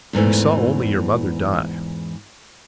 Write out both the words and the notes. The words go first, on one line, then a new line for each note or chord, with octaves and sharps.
You saw only your mother die.
E2 G#2 E3 A3